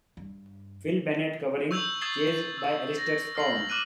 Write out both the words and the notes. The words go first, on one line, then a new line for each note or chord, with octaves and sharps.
Phil Bennett covering, chased by Alistair Scown.
G2
C#6 E6 G6 G#6 F7 F#7
C#6 D#6 G#6 A6 C7 G7
E6
A#6
F6 C7 F#7
D6 F6 F#6 D#7 F#7